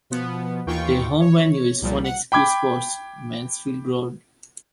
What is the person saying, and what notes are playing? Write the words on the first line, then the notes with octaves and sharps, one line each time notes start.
Their home venue is Phoenix Cue Sports, Mansfield Road.
B2 F3 B3
D#2 D#3 E3 F4 G5 C#6
C#5
C2 A#2 F3 G3
F#5
G5 B5 D6 G#6